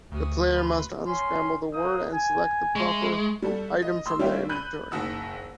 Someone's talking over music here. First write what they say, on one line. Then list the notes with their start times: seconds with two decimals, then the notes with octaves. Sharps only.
The player must unscramble the word and select the proper item from their inventory.
0.12 D2 F#4 D#6
0.53 B4 C6
1.07 C#4 C6
1.72 A#3 C5 D#6
2.14 G#5
2.76 G#3 E4 C#6
3.42 G3 F#4 A4
3.82 D#5
4.06 C6 E6
4.19 G3 C#4 D4 F4 E5 G5
4.49 B5 F#6 G6 D#7
4.92 F#1 D#3 F#4 F#5 E6